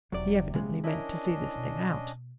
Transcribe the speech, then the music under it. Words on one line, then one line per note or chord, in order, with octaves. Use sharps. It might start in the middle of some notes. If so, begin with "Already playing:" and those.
He evidently meant to see this thing out.
E1 C3 F#3 D#4 D5
C#3 E3 G#3 A#3
C#4 D4 E4 A#4 D#5
C#3 G#3
B2